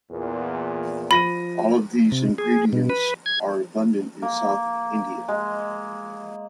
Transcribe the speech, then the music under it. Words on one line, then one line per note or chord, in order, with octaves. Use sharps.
All of these ingredients are abundant in South India.
E2 A#2
F3 B5 A#6 D#7
C3
G#4
B2
B4
G#6
A#3
G#3